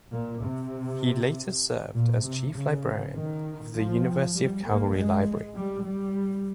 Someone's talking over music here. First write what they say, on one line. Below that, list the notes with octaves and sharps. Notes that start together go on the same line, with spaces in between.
He later served as chief librarian of the University of Calgary Library.
A#2
C3
A#2
C3
C#3
D#3
F3
G3
A#3
G#3
G3
G3